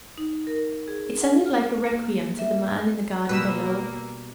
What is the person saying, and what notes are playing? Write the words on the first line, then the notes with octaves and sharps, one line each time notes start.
It sounded like a requiem to the man in the garden below.
D#4
A#4
G#4
F#5
F6
A#3
E5
B2 G3 A#3 B4 E6